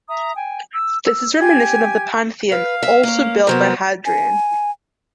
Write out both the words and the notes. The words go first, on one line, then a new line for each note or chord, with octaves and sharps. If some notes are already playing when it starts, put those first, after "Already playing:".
This is reminiscent of the Pantheon, also built by Hadrian.
E5 A#5 D#6
G5 G#5
E6
E6
G4 G#5 G#6
B4 F5
E5
A#3 C#4
C3 F#3 B3 A#4 C5
G#5